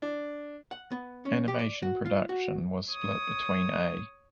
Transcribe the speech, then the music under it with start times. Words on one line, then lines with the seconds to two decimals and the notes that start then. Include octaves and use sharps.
Animation production was split between A.
0.02 D4
0.71 F#5
0.92 B3
1.25 C#4
1.48 G4
1.59 D5
1.82 F#4
2.06 F4
2.29 F#4
2.90 C#5 D#6